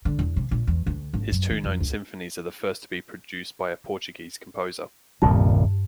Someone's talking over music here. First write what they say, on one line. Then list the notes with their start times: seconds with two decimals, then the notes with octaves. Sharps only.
His two known symphonies are the first to be produced by a Portuguese composer.
0.05 D3
0.19 E2
0.36 C3
0.51 A#2
0.67 E2
0.86 D2
1.13 G#1
1.32 F#2
1.50 D#3
1.64 F2
1.80 C#2
5.22 D#1 C2 G2 A#2 A5